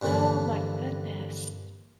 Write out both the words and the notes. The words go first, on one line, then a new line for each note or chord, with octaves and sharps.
Oh, my goodness.
G2 A#2 D3 E3 F3